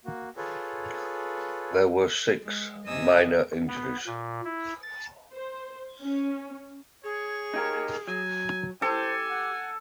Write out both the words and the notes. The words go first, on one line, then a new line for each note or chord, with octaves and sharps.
There were six minor injuries.
A#3 F#4
F4 G#4 A4 B4 C#5
G#3
F#2 C3 D#5 G#5 D#6 E6
B3
A#2
E4
A6
C5
C#4
G#4 C#5
D#4 G4 A#4
F#3 G#5
G4 A4 C5 G#5
F#5